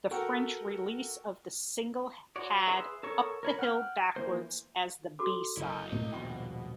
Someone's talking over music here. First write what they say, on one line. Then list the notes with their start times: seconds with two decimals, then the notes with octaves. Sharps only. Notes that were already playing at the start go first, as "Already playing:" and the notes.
The French release of the single had "Up the Hill Backwards" as the B-side.
0.11 F#4 A4 A#4 F#5 G5 C#6
2.36 F#4 C#5 D5
2.67 G#4 B4 E5 C6
3.03 A4 A#4 C#5 C#6
3.43 A#4 C#5 B5
3.59 F#5 G5 F6
4.16 E3 A#3 C5
5.19 F#4 A4 D6
5.57 F#1 E4 D#5
5.92 A2 A3 A#3
6.12 D#1 A#1 G#2 B2 G5 C#6